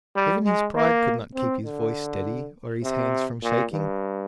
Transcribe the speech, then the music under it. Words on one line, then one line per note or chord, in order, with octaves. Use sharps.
Even his pride could not keep his voice steady or his hands from shaking.
G3
G#3
A#3
C4
D3
C3
A#2
G2